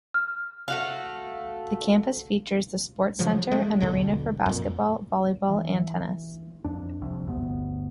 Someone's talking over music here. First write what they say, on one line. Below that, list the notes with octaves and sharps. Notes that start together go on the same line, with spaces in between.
The campus features the Sports Center, an arena for basketball, volleyball, and tennis.
F6
A3 F#4 F5
C#3 F3 F#3
G#3 A3
D#1 B1 B2 D3
F2 A#2
E3
F2 D4
F1 C2 F2
G1 D2 B3